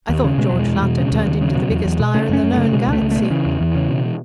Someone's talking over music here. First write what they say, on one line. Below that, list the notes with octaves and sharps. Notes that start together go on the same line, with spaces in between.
I thought George Lunt had turned into the biggest liar in the known galaxy.
D#2
C#3
B2 G#3
E2 F#3
G#3
E2
B2
C#3
D#2
D#2
C#3
B2 F#3
E2
E2
B2
C#3 A3
F#2 C#4
F#2
C#3 A3
B2 G#3
C#2
A3
C#2
B2 A3
C#3 E3
E2
E2
C#3
B2